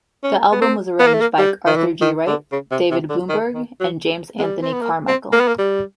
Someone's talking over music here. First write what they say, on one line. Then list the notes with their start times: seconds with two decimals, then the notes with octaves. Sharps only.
The album was arranged by Arthur G. Wright, David Blumberg and James Anthony Carmichael.
0.24 C#4
0.52 B3
0.62 C4
0.99 B3
1.07 A#3
1.14 A3
1.21 A#3
1.38 G3
1.67 D#3
1.76 E3
2.01 D#3
2.27 D3
2.52 C#3
2.72 C3
2.91 C3
3.10 D3
3.29 D#3
3.54 D#3
3.80 F#3
4.39 G#3
4.44 G3
4.62 C4
4.73 B3
4.82 A#3
5.08 C4
5.33 A#3
5.40 B3
5.48 A#3
5.59 G3